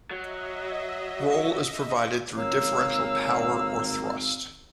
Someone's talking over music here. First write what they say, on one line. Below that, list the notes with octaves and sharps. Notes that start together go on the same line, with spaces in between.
Roll is provided through differential power or thrust.
F#3 D#5 E5
G#1 A#3 C#5 F5 E6